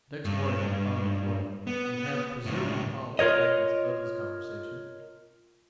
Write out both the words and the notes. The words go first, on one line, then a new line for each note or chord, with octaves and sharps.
Next morning I found him alone, and have preserved the following fragments of his conversation.
G2
B3
C#2 A2
F4 A#4 C#5 D#5